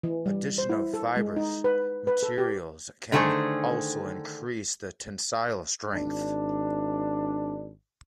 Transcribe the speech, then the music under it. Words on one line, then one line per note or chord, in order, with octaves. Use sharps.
Addition of fibrous materials can also increase the tensile strength.
E3
G3
C5
E4
A4
G#3
D#4
B4
B4
A4
G4
D3 D#3 A3 B3 G#4 C5
G#1 D4